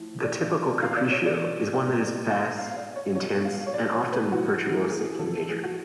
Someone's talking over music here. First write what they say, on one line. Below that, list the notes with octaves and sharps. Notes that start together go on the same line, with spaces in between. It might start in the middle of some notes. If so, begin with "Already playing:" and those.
The typical capriccio is one that is fast, intense, and often virtuosic in nature.
Already playing: A2 F3
D5
B2 F5
D5
C#5
D5
B2
F5
F5
D5
C#5
B2 C#5
F5
C#5
D5
C#5
B4
A2 F3 F#4
G#4
A4
A2 F3 G#4
F#4